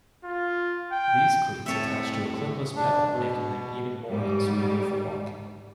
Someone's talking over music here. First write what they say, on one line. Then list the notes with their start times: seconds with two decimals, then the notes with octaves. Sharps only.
These cleats attach to a clipless pedal making them even more unsuitable for walking.
0.25 F4
0.92 G5
1.66 A2 C4 A4 C#5 E5
2.76 D4
3.13 B2
4.10 G#2 G3